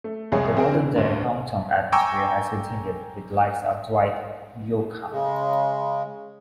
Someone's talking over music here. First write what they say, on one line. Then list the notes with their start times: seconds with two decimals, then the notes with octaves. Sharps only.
The modern-day, honk-tonk atmosphere has continued, with likes of Dwight Yoakam.
0.04 A3
0.32 C2 F2 G#3 G#4 C#5
0.57 C4 G#4 A#4
0.72 D3 E3
0.96 D2 G2
1.92 G5 G#5 A#5 C#6 D6 E6
5.10 C#3 G#3